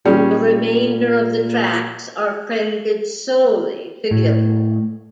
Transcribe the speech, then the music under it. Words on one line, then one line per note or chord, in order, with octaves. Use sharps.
The remainder of the tracks are credited solely to Gilmour.
A#2 G3 C#4 G#4
A2